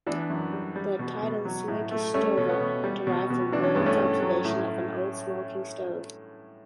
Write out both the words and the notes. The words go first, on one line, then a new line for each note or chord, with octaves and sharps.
The title "Smokey Stover" derived from Holman's observation of an old smoking stove.
E3 B3 D4
F#2
G3
G3
B2
B2
F#3
A2
A3
G3 A3 C#4
B2 C#4
B3
B2
G3
B2
B2
E3 D4
C#4
G2 B3
A3 C#4
A3
F#3
A2